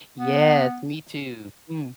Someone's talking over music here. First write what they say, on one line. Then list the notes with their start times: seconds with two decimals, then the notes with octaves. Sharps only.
Yes, me too. Mm.
0.18 B3